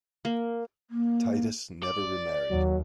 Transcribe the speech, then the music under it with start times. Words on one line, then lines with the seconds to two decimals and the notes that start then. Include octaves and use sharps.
Titus never remarried.
0.25 A#3
0.91 A#3
1.83 D5
2.50 D#2 F#3